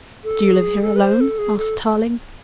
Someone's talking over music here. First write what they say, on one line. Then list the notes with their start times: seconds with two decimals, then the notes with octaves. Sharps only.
"Do you live here alone?" asked Tarling.
0.25 A4
0.53 G#4
0.82 A4
0.96 B4
1.01 C5
1.21 A4
1.39 G#4
1.58 A4